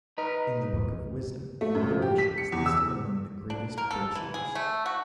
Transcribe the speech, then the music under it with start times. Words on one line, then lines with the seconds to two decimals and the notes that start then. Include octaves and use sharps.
In the Book of Wisdom moderation is listed among the greatest virtues.
0.18 D#4 B4 A#5
1.61 A3
1.75 F#2
1.90 F3
2.02 G4
2.18 B6
2.38 C#7
2.52 E2
2.66 E6
3.50 D4
3.78 A#4
3.91 A4
4.15 E3
4.34 G#4
4.55 A3
4.86 F#4